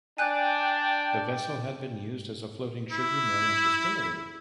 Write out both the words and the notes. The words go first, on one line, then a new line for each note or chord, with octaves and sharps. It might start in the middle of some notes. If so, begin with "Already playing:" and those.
The vessel had been used as a floating sugar mill and distillery.
D4 D5 G5 G#5 F#6 G6
E4